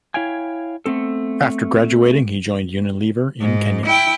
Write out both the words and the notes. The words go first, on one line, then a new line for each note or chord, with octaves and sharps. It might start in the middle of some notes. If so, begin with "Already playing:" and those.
After graduating he joined Unilever in Kenya.
E4 C#5 F5 G5 G#5
A3 B3 C4 A4
G#2
E4 G5